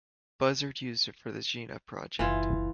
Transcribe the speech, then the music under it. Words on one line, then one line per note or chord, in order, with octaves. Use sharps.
Buzzard uses it for the Xena project.
F#1 C#2 E3 F4